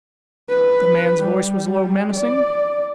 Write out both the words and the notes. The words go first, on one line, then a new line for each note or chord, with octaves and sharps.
The man's voice was low, menacing.
B4
G3
D5